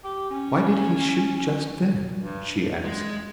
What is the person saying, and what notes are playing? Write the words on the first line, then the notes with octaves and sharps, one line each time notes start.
"Why did he shoot just then?" she asked.
G4
C#4
G2
G#3